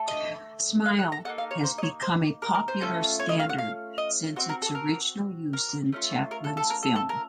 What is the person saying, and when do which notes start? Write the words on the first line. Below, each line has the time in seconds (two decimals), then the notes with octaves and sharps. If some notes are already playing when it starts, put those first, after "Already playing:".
"Smile" has become a popular standard since its original use in Chaplin's film.
Already playing: A3 A4
0.08 D#5
0.86 F5
0.99 F#5
1.12 A#5
1.25 A#3 D#4 A4 F#5
1.38 F5
1.51 C#5
1.64 C5
1.78 D#5
1.83 C#5
2.02 C5
2.42 A#4
2.55 A#4
2.68 C5
2.81 A3 C#4 F4 A4
3.19 C#5
3.29 D#5
3.39 F5
3.49 F#5
3.58 F5
3.98 D#5
4.36 C4 D#4 F#4 C5
4.49 A#4
4.62 A4
4.75 A#4
5.53 A#4
5.92 A3 C#4 F4
6.31 A#4
6.44 A4
6.57 A4
6.70 A#4
6.83 A4
6.96 A4
7.09 A#4